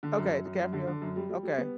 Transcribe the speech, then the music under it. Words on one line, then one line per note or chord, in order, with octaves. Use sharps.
Okay, DiCaprio. Okay.
D3
F#2
F#2
F#2
F#2
D3
D3
F#2
G3
G3
G3
B3